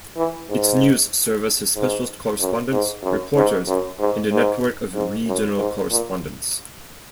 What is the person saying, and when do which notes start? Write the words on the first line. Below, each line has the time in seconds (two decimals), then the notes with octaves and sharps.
Its news service has specialist correspondents, reporters and a network of regional correspondents.
0.17 E3
0.49 G#2
1.76 G#2
2.40 F#2
2.72 G#2
3.03 F#2
3.36 G#2
3.67 F#2
3.99 G#2
4.31 G#2
4.95 G#2
5.26 F#2
5.58 G#2
5.90 A#2